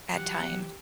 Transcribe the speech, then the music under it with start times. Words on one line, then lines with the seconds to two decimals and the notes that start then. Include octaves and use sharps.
at times.
0.15 E3 F#3 G4 F#5